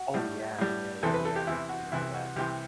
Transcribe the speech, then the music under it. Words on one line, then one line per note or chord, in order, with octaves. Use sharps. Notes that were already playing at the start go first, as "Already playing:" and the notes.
Oh, yeah, yeah, yeah, yeah, I remember that.
Already playing: F#4
A2 G3
A2 G3
E2 C3 E3 A4
B4
A4
G4
E2 C3 E3 E4
F#4
C2 C3 E3 E4
F#4
C2 C3 E3 G4